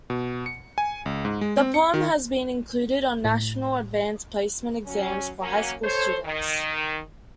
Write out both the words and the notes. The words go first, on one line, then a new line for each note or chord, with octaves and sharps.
The poem has been included on national Advance Placement exams for high school students.
B2
C#7
G#5
C#2
G#2
G#3
C4
C#7
D#3
A2
F#3 C#4
F#3 A#3 C#4
A4 C5 C#5
D#3